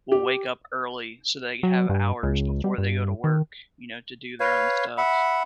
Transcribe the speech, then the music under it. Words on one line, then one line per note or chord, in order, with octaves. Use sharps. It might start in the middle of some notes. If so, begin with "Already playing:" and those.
will wake up early so they have hours before they go to work, you know, to do their own stuff,
G4
F#3
G2
C#2
G3
G2
D#3
B4 C#5 F5
E5 F#5 B5